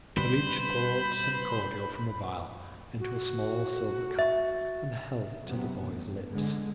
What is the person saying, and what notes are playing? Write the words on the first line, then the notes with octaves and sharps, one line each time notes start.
The leech poured some cordial from a vial into a small silver cup and held it to the boy's lips.
G3 B4 C5 B5
F#4
E5
F#2 C3 B3
A1 G2
D3 G#3